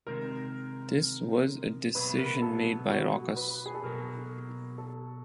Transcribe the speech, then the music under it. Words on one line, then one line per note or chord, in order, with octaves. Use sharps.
This was a decision made by Rawkus.
C3 D#3 G#3 A#4
B2 F#3 B3 E4 B4
A#4
A4
F#4
B4
G#4
A4
B2 F#3 A#3 A#4
A4